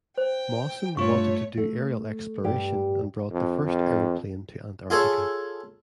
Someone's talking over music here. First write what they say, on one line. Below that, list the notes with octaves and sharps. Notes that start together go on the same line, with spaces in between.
Mawson wanted to do aerial exploration and brought the first aeroplane to Antarctica.
C5 G5
G2 A3 F4 C#5 C#6
A3
G2 G4
F2
F2
F4 G#4 A4 C#5